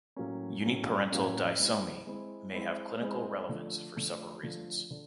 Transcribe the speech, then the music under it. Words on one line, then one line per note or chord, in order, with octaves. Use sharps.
Uniparental disomy may have clinical relevance for several reasons.
A2 F#3 A#3 C#4
A2 F#3 A#3 C#4
A2 F#3 A#3 C#4
G#3 C4 E4
G#3 C4 E4
G#3 C4 E4
G#3 C4 E4
D3 F3 A3
D3 F3 A3
D3 F3 A3
D3